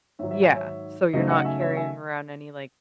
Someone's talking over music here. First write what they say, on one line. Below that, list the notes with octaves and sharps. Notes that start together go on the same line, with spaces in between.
yeah, so you're not carrying around any, like,
G#2 D#3 F#3 C#5 E5
C#5 E5
E5 G#5
C#5 E5
C#3 F#3 A3 D#4 C5 D#5
D#5 F#5
E5 G#5
C#5 E5
E5 G#5